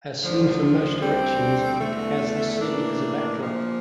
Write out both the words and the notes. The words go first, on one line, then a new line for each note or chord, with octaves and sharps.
As seen from most directions it has the sea as a backdrop.
D2 D3 F3
D2 D3 G3 C4
E2 D3 A3
A2 E3 A#3 D4
A#2 F3 A#3